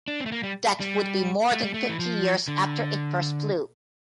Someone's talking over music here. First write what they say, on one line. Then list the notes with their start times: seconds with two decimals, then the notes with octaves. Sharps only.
That would be more than fifty years after it first flew.
0.08 D4
0.20 C4
0.26 A3
0.32 A#3
0.43 G3
0.80 G3
1.52 A3
1.63 G3
1.74 A3
1.89 E3
1.99 F3
2.48 D3